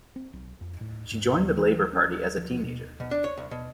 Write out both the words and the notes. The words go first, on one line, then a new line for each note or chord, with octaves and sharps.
She joined the Labour Party as a teenager.
C4
B1
F2
A2
G#2
D#1
E3
C#4
F3
B2
B2
D4
C#5
C2
B2